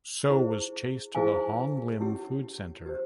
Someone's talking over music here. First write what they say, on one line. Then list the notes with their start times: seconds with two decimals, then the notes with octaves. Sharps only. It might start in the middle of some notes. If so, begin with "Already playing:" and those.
Soh was chased to the Hong Lim Food Centre.
0.30 E4 G#4 C5
1.15 E4 G#4 C5 F5 G#5
2.00 C#4 E4 G4 C#5
2.86 G4 C5